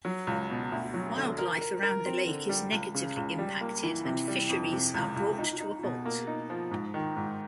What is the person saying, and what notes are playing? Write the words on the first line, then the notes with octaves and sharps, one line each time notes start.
Wildlife around the lake is negatively impacted and fisheries are brought to a halt.
F#3
C#2
B2
D2
F#3
D3
A#4
A#4
A#4
C4
D3
G3
C#2
C#3
C#2
G3
A#3
E3
C3
G3
F2
C3
C#2
C#2
D#4
D#4
B2
A#3
D#4
F3
G#2
D#3
G#2